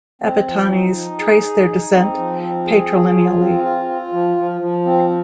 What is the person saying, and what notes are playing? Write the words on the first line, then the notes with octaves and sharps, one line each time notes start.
Apatanis trace their descent patrilineally.
C4
F3
D#4
D#4
G#4
D#4
D#4
C4
F3
C4
G#4
F3
F4
C4
F4
F4
F3
F3
F3
C4